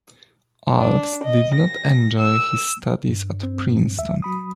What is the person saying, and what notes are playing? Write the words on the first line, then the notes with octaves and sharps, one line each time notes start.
Alves did not enjoy his studies at Princeton.
D4
D#5
A#6
E6
G2
C4
D#2 E5
F#3 B5 D#6